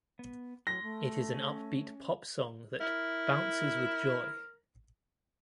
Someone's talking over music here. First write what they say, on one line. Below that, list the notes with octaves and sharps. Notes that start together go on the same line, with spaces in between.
It is an upbeat pop song that "bounces with joy".
B3
F#3 C6 A#6
A3
C#4
E4 A#4